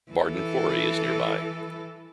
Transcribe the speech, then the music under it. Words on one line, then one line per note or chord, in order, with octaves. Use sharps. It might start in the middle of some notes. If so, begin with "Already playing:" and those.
Bardon Quarry is nearby.
E3 A4